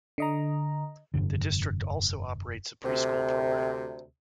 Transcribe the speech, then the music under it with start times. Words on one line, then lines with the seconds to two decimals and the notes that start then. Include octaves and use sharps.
The District also operates a pre-school program.
0.18 D3 D#5 A#5
1.14 F1 B1 G2 D3
2.84 D2 C3